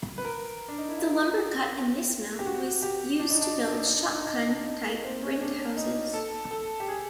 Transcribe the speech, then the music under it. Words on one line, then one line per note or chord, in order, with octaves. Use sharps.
The lumber cut in this mill was used to build shotgun-type rent houses.
B4
A#4
D4
D#4
E4
F4
G4
F#4
G4
D4
D#4
D4
D#4
D4
D#4
D4
D#4
D4
D#4
D4
D#4
D4
D#4
A#3
C4
C#4
D4
D#4
A4
A4
G4
G#4